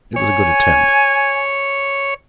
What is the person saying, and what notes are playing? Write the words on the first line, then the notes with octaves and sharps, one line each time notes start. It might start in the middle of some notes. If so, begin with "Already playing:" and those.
It was a good attempt.
C#5 G#5